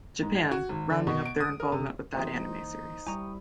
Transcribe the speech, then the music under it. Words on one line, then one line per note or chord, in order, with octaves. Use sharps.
Japan, rounding up their involvement with that anime series.
G#2
G#6
F#4
G#1
D3
B2
D7
D#6
A#4
C3
E3 A#3 C4 D#4 F#4 G#4 C5
G3 E4 G5 G#5 A#5 C#6 D#6